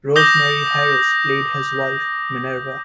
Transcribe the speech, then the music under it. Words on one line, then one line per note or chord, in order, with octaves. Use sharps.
Rosemary Harris played his wife, Minerva.
D6 D#6 G6 A#6 G7